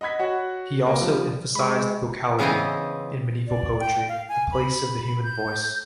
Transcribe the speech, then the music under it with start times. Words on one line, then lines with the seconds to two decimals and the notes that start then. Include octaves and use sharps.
He also emphasised "vocality" in medieval poetry, the place of the human voice.
0.01 D#5 F#5 B5 G#6 B6
0.19 F#4 C#5 F#5
0.86 A#3
1.02 F3 G3
1.55 G#3 B5 C#6
2.39 C#3 E3 B3 C4 E4 D#5
3.48 D5
3.80 G5
4.09 F5
4.29 G#5
4.52 B5
5.23 G6